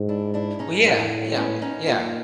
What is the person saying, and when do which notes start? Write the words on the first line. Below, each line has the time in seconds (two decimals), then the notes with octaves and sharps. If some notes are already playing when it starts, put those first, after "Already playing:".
Well, yeah, yeah, I mean yeah.
Already playing: G#2
0.09 D4 E4
0.34 D4 E4
0.59 C#4 D#4
0.85 A2 C4 D4
1.36 B3 C#4
1.62 C#4 D#4
1.86 A#2 D#4 F4